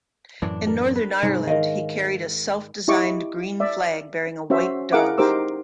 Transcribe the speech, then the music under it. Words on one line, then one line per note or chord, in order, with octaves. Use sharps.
In Northern Ireland he carried a self-designed green flag bearing a white dove.
F#2 A2 E3 D4
A#4
B4
G#2 C3 G3
D#3 A#4 D#5 F5
E4 G4 D#5 C#6 D6
D5 E5
C#4 F#4 C5 E5
E4 G#4 A#4 F5 F#5 D6
D#4 G4 A#4 C5 D6 E6